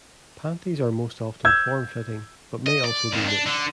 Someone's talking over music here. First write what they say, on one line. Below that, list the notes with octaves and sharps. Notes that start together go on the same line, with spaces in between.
Panties are most often form-fitting, but may also be loose.
E6 G6 G#6
D#5
D5
F2 D#3
D4
D3